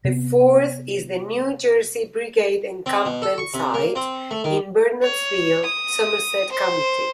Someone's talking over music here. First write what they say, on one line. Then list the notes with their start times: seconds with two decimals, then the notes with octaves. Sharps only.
The fourth is the New Jersey Brigade Encampment Site in Bernardsville, Somerset County.
0.05 C3 B3
2.86 C4
3.05 B2
3.22 A4
3.38 C#6
3.54 C3
3.74 A#3
3.96 C4
4.31 A3
4.44 D#3
5.02 C#5
5.65 D#6
6.52 C5